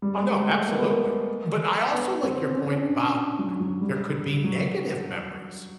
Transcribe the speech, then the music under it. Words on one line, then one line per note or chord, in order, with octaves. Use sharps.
Oh, no, absolutely, but I also like your point about, I there could be negative memories,
G3
G#3
G#3
A3
A#3
B3
A#3
B3
C4
C#4
D4
F#3
F#3
G3
F#3